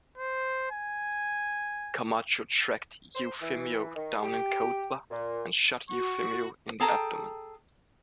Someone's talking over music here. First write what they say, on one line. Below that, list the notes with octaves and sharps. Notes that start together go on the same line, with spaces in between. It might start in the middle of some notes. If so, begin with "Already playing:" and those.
Camacho tracked Eufemio down in Cuautla and shot Eufemio in the abdomen.
C5
G#5
C5
E3
D#3
G4
A#2
F#4 C#6
G#4 A4 G5 A5 A#5